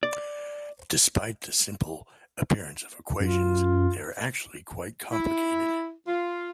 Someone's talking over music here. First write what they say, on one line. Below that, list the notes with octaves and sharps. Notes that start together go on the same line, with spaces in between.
Despite the simple appearance of the equations they are actually quite complicated.
D5
F#2 F4
E4
F4